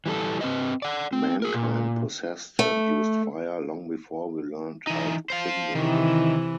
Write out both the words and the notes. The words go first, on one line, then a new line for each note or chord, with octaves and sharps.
Mankind possessed and used fire long before we learned how to kindle it.
E3 G3 A4
C4 B4 D#5
D5 F#5
C4
G#4 A#4
A#2
A3
E3 D#4
C5 F5
C3 D#3 E3 E4